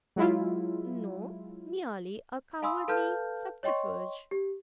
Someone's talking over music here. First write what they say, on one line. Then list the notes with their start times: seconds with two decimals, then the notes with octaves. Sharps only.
No; merely a cowardly subterfuge.
0.16 F#3 G#3 E4 F4
2.62 F5 G#5 B5 C6 D#6 E6
2.88 A4 B4 F5 A5 F6 G6
3.63 C#5 D#5 G5 C6 C#6
4.31 G4